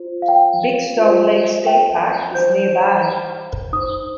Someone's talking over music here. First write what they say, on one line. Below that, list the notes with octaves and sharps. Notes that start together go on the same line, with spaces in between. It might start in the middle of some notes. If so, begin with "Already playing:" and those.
Big Stone Lake State Park is nearby.
Already playing: F4 C5
F5
G5
F4 C5
G5
D#4 C5 G6
D#4 C5 D#6